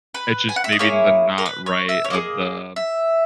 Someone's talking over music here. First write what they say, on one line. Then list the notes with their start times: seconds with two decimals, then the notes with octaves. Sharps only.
it's just maybe the not right of the,
0.14 B4
0.49 G#5
0.56 F#5
0.64 E5
0.72 D#5
0.79 A#3 E4 G#4 C#5
1.38 A#4
1.46 B4
1.66 C#5
1.89 E5
2.04 C#5
2.10 A#3 E4 G#4 D#5
2.76 E5